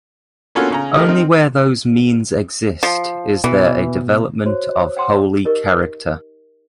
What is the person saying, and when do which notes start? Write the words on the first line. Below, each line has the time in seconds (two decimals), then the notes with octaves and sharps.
Only where those means exist is there a development of holy character.
0.55 A#3 B3 C#4 F4 F#4 A4
0.70 C#3 C#4 A#5
0.95 D#3 A3 G4 A#4 D#5
1.09 C4 D#4 F6
2.83 F3
3.44 B2 E3
4.46 F#4 C5 C#5 F#6
4.97 F#5 G5 C6
5.45 D#4 G4 A#4 D#5 C#6 D6